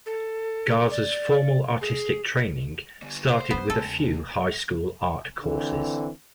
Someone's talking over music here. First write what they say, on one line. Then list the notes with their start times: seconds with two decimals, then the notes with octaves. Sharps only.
Garza's formal artistic training started with a few high school art courses.
0.06 A4
0.91 D5
1.81 G#4
3.02 D3 G3
3.32 C5
3.51 F#3 A3 B3
3.70 E2 C#3 G#3 A4
5.43 D3 E3 C4